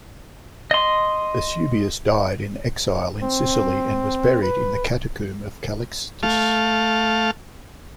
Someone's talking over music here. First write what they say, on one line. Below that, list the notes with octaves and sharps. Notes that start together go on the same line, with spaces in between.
Eusebius died in exile in Sicily and was buried in the catacomb of Callixtus.
D#5 C6
C4
B4
A3 F5